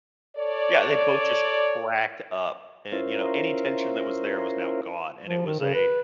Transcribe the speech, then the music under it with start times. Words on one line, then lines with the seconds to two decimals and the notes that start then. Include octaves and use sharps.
yeah, they both just cracked up and, you know, any tension that was there was now gone and it was a
0.37 A4 C#5 D5
2.92 C#4 E4 F4 A#4 C5
5.26 F3
5.46 D#3
5.60 C#3
5.74 B4